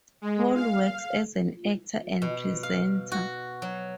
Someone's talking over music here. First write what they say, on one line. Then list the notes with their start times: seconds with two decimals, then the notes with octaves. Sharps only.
Paul works as an actor and presenter.
0.22 G#3
0.55 F5
2.22 B2
2.63 F5
3.12 F#4
3.62 F#3